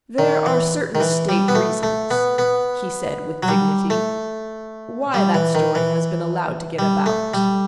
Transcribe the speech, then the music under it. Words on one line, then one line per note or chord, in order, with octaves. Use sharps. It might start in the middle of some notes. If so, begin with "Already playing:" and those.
"There are certain state reasons," he said with dignity, "why that story has been allowed to get about."
D#3
E3
D#3
E3
G3
B3
A3
A3
B3
B3
F#3
G3
A3
G3
E3
D#3
E3
G3
A3
G3